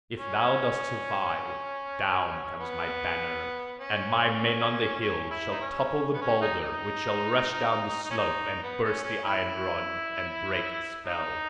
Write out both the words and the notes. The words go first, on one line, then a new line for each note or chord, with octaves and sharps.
If thou dost survive, down comes my banner; and my men on the hill shall topple the boulder which shall rush down the slope and burst the iron rod and break the spell.
C#4
B3
C#4
C#4
E4
D#4
C#4
B3
C#4
D#4
D#4
D#4
C#4
D#4
B3
C#4
C#4
E4
D#4